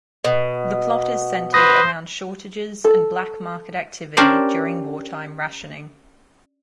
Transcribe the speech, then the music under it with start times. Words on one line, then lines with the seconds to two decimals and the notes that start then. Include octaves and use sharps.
The plot is centred around shortages and black market activity during wartime rationing.
0.25 B2
1.54 B4 C5 D#6 A#6
2.84 A4
4.17 C#4 D4 G4 A#4 C5 D5